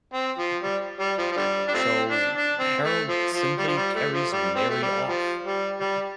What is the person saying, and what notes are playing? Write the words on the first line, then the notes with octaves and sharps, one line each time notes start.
So Harold simply carries Mary off.
C4
F3
G3
G3
F3
F3
D3 G3
D4
F3 A3 C4
D4
D4
C4
A3
F3
F3
G3
F3
G3
A3
F3
G3
C4
A3
G3
F3
G3
G3